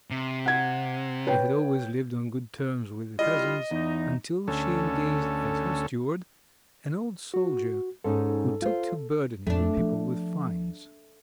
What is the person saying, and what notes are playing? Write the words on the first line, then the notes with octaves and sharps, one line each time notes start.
She had always lived on good terms with the peasants, until she engaged as her steward an old soldier, who took to burdening the people with fines.
C3
F#5 G#6
B4 C#5 G5
G3 E4 F4 D#5
E2 D#4
D2 C#4 A4
F#4
G#2 C#4 D#4 A4
F4 C5
F2 A3 D4
F3